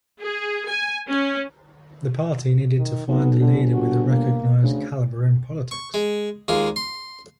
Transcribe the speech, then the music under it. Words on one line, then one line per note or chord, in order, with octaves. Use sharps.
The party needed to find a leader with a recognised calibre in politics.
G#4
G#5
C#4
D#3
B1 B3
G1 D3
F#4
A#3
D2 C#3
C#6
G#3
D#2 G#3 F4
C6